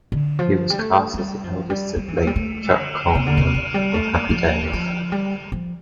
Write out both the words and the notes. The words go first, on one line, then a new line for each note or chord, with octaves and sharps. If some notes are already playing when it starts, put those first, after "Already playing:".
He was cast as the eldest sibling, Chuck Cunningham, on "Happy Days".
D3
F3
G3
A3
A3
G3
F3
G3
G3
E3
F3
G3
A3
D3
C3
D3
C3
E3
G3
A3
A#3
G3
F3
E3
F3
G3
F3